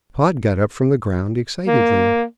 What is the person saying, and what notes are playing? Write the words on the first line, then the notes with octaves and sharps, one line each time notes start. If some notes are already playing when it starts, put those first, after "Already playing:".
Pod got up from the ground excitedly.
A#3